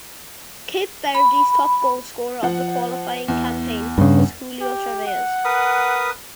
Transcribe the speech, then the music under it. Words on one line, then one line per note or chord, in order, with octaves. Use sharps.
Cape Verde's top goalscorer of the qualifying campaign was Julio Tavares.
B5
F3 F#5
E2
G2 C#3
G4
F#5
A#4 B4 D#6